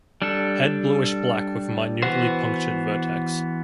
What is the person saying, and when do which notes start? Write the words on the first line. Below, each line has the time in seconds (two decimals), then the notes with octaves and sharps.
Head bluish black with minutely punctured vertex.
0.22 G3 D4 A4
2.03 E3 B3 F#4 C5